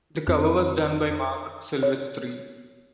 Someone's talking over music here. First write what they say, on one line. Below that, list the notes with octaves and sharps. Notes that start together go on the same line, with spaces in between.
The cover was done by Marc Silvestri.
F2 C4
C#5